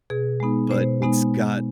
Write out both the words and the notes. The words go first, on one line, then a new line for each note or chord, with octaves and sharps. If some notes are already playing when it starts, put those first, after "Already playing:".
but it's got
B2 G#4
G#3 B3 D#4
B2 C5
G#3 B3 D#4